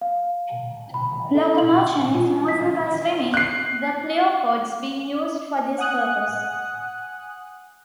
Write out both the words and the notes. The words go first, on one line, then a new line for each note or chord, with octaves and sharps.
Locomotion is mostly by swimming, the pleopods being used for this purpose.
F5
B5
A4
F#7
F4
B6
F#6 C7
F#5 G#5 D#6 F#6